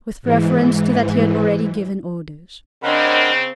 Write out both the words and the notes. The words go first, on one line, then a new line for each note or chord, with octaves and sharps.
With reference to that he had already given orders.
G#2 E3
C#3 C4 D4 A#4 C#5 D#5 F#5 B5